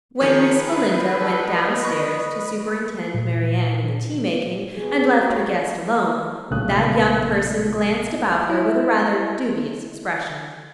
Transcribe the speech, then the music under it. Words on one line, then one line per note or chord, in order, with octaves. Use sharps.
When Miss Belinda went down-stairs to superintend Mary Anne in the tea-making, and left her guest alone, that young person glanced about her with a rather dubious expression.
D#3 F3 G#4 B4
A4
D#5
C#6
A#2
B2 G#4
G3 C#4 F#4 C#5
B1 A#2 C#3 A3 D#6 F#6
E4 D#5